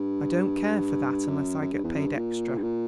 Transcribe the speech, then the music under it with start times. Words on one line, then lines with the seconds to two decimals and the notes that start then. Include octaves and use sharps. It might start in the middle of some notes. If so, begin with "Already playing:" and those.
I don't care for that, unless I get paid extra.
Already playing: G2
1.28 F#2
1.61 F#2
1.73 G2
1.84 E2
1.95 F#2
2.06 G2
2.17 A#2
2.58 G2
2.63 A#2